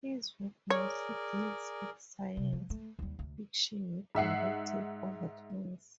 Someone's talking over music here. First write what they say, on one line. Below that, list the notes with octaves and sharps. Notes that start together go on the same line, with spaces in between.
His work mostly deals with science fiction with erotic overtones.
G#4 A#4 C#5 D5
C3
F3
A3
D#2 G3
D2
G#2 E5 F#5 C7